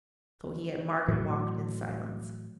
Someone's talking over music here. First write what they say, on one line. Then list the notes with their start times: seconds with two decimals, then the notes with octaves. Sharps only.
So he and Margaret walked in silence.
1.08 A2 E3 F#3